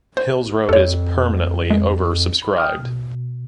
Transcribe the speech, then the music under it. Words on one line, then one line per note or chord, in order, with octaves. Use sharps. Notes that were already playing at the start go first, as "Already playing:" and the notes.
Hills Road is permanently over-subscribed.
C5
F2 A4 C#5
G#3
B5
G5 D#6 F6
B2